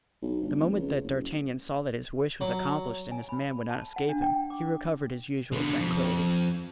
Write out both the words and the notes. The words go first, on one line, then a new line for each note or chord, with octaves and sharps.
The moment that D'Artagnan saw that his wish was accomplished and his man would not escape him, he recovered his usual tranquillity.
B1
G1
F1
C#2
F#1
F#3
G#5
B5
A5
F#5
D4
G5
D6
B2 D3
F2